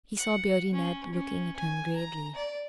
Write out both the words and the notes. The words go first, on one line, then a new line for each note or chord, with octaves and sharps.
He saw Beardy Ned looking at him gravely.
F#5
C#4
C#4
G#5
A#5
D5